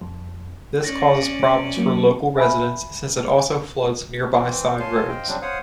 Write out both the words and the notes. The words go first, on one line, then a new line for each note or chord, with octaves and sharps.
This causes problems for local residents since it also floods nearby side roads.
F2
C#4 D5 A6 A#6
F#3 A#3
C5 E5 G#5 B5
E3 C4
C#5 F5 G#5 A5 C6
C5 D#5 F5 G5
C#3 F#3 G3 C4 D4
C5 C#5 F5 F#5 D#6